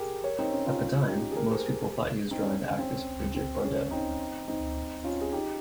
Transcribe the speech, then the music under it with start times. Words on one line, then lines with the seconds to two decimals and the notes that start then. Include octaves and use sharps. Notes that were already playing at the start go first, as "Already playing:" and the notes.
At the time, most people thought he was drawing the actress Brigitte Bardot.
Already playing: G4 G#4 A#4
0.24 A#4 C#5
0.39 C4 D#4
0.52 C#4
0.66 C#4 F4
1.09 D#4 G4
1.32 G#4
1.37 G4 A#4
1.51 G#4 C5
2.31 C4 D#4
2.40 C#4
2.69 C#4
2.79 C4
3.35 C4
3.63 C#4
3.91 C4 D#4
4.48 C4 D#4
5.04 C#4 F4
5.21 G#4
5.32 D#4 G4